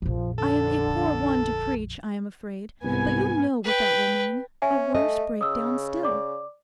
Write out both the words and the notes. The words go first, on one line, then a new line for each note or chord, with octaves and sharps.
I am a poor one to preach, I am afraid; but you know what that will mean--a worse breakdown still.
A#1 F2 F3
D3 A4
C2 G#2 B3 G#5
B4 G5
C#4 E5 G#5
A3 D#5
C#3 D#6 E6
D5 D6